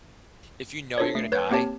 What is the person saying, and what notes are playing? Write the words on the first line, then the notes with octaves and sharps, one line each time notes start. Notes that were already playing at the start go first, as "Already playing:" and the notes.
if you know you're gonna die
D4 F4 A4 C5 C#5
A3 C7
B4 C#5 G6
A#3 C4 G4 C#5 A5